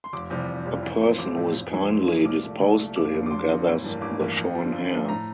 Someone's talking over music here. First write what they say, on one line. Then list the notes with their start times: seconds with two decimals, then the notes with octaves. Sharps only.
A person who is kindly disposed to him gathers the shorn hair.
0.04 C6
0.13 F1 D6
0.30 F2 C3 E3 G3
0.48 F1
0.66 F2 C3 E3 G3
0.83 A1
1.01 A2 F3 C4
1.18 A1 D6
1.36 A2 F3 C4
1.55 F1
1.71 F2 E3 A#3 E4
1.89 F1 C6
2.08 F2 E3 A#3 E4
2.25 C2 D6
2.43 A#2 A3
2.61 C2
2.79 A#2 A3
2.96 F1 D6
3.14 F2 D3
3.26 D6
3.31 F1 C6
3.49 F2 D3
3.67 A1
3.84 G2 E3 A#3
4.01 A1 D6
4.20 G2 E3 A#3
4.37 F2
4.55 D3 F3
4.72 F2
4.90 D3 F3
5.09 A2 A#5